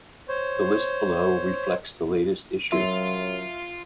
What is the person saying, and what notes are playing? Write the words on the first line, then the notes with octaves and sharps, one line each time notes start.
The list below reflects the latest issue.
C5 C#5
F#2 F#3 F4 E5 C6